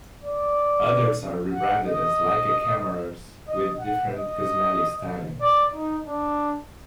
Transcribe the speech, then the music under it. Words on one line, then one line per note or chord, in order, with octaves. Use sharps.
Others are rebranded as Leica cameras with different cosmetic stylings.
D5
F#5
D#5
D#5
F#5
D#5
D5
D#4
D4